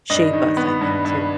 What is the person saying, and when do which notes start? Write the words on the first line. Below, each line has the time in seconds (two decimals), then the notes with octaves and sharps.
shape us, I think, too.
0.10 G2 D#5
0.33 D#3
0.57 B3
0.81 G2
1.05 G2